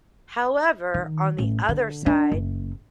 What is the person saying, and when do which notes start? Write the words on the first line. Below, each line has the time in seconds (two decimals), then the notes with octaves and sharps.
However, on the other side,
0.94 D#3
1.38 A1
1.69 D3
2.06 D4
2.32 F#1